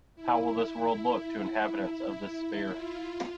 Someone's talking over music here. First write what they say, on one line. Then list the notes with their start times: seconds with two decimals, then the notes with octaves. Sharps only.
How will this world look to inhabitants of this sphere?
0.15 E4
2.74 F4